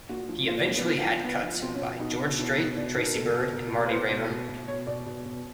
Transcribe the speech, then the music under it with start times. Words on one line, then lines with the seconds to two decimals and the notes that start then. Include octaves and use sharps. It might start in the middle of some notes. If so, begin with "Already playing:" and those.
He eventually had cuts by George Strait, Tracy Byrd, and Marty Raybon.
0.09 A#2 F#4
0.29 F3
0.48 A#2 F4
0.57 D4
0.67 A#2 C#4
0.76 B3
0.86 F3
1.05 F3
1.24 F3 B3
1.43 F3
1.62 B2 C4
1.75 C#4
1.81 B2
2.00 B2 D#4
2.20 B2
2.39 B2 E4
2.58 B2 D#4
2.77 B2 D4
2.96 B2 D#4
3.06 A#4
3.15 B2 A4
3.34 B2
3.53 B2 A#4
3.72 B2
3.86 B4
3.91 B2 C5
4.10 B2
4.30 B2
4.49 B2
4.68 B2 C#5
4.87 B2 D5
5.06 B2
5.25 B2